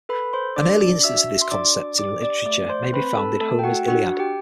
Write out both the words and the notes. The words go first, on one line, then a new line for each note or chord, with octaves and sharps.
An early instance of this concept in literature may be found in Homer's "Iliad".
A4 B4 B5
C5 C6
D4 D5 D6
D5 D6
F#4 E5 E6
C6
D4 D5 D6
G4 D5 D6
D5 D6
A3 D5 D6
C5 C6
C4 B4 B5
B5
A4 A5
A3 A4 A5
G5
F#4 F#5
D4 F#4 F#5
G4 G5